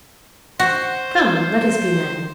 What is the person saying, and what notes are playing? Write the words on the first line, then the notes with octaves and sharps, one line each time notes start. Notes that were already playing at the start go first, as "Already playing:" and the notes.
Come, let us be men.
F#4 C5